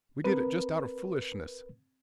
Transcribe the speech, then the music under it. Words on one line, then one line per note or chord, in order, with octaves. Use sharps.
We did it just out of foolishness.
C4 A#4 B4